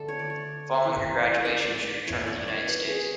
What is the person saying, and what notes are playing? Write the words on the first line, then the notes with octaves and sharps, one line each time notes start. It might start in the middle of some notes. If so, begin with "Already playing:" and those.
Following her graduation, she returned to the United States.
Already playing: D3 A3 A4
C#5
D5
C#5
E3 A3
D5
D5
D5
E3 B3 C#5
D5
C#5
B4
G#4